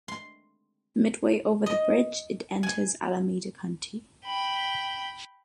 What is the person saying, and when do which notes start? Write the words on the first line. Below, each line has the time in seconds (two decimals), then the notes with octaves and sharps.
Midway over the bridge, it enters Alameda County.
0.08 C6
1.66 D#5
2.63 G#5
4.25 G5 B5